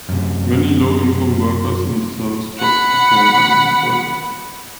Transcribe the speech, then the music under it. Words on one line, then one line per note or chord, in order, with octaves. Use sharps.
Many low income workers in service jobs became unemployed.
F#2 C3
F#5 B5